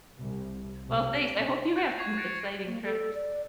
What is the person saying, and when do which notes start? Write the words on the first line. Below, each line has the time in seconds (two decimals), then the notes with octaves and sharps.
Well, thanks, I hope you have some exciting trips,
0.16 C2
0.88 C3
1.75 C#6 F#6 G6 A6 D7 D#7
1.97 C#6 G#6 C7 F7
2.17 F#6 A6 A#6 C#7 D7
2.67 A#3
2.84 A4
3.14 D5